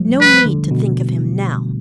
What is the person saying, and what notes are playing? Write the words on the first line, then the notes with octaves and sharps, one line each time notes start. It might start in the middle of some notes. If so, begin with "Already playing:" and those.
No need to think of him now.
Already playing: F3 G3 A3
B4
D3
B2